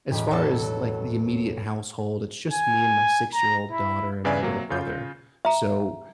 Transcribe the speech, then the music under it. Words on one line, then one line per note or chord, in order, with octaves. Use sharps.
as far as, like, the immediate household, it's just me and my six-year-old daughter and my little brother. So,
E1 A2 G4
F#3 A4
G#5
A#5
E4
E2 C#3 B4 D5 E5 G#5
C3 F#3 A#3
C#3 F4 G6
E5 A#5